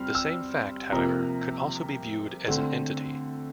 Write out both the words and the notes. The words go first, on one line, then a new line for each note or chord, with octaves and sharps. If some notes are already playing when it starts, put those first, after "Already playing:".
The same fact, however, could also be viewed as an entity.
Already playing: G3 C4 F6
E6
C3 F3 A#3 A#5
D3 A3 C4